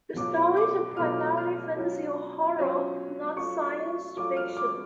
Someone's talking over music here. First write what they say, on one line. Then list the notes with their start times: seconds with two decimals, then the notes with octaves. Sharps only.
The stories are primarily fantasy or horror, not science-fiction.
0.16 B2 F#3 A3 F4 D6
0.57 D6
0.96 B2 F#3 A3 F4 F6
1.37 F6
1.76 F#3 C#4 F4
2.56 F#3 C#4 F4
3.36 F#3 A3 F4 C#6
4.17 F#3 A3 F4 D6
4.37 F6
4.57 D6